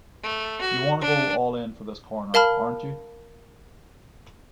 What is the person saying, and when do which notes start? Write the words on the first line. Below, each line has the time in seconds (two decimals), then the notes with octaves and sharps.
You want to go all in for this corner, aren't you?
0.23 A3
0.61 F#4
1.01 D4
2.34 A#4 F5 A5 B5 F6